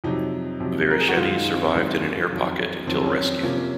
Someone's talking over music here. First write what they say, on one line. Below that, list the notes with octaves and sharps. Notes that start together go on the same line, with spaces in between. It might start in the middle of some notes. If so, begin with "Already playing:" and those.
Varischetti survived in an air pocket until rescued.
F2 C3 F#3 D#4
F2 C3 F#3
A#4
G#4
F#4
F#2 D#3 G#3 F4
D#4
C4
F#2 D#3 G#3
F2 D#3 F#3
F2 D#3 F#3 C4
C#4
C4
C3 F3 A#3 C#4
C#4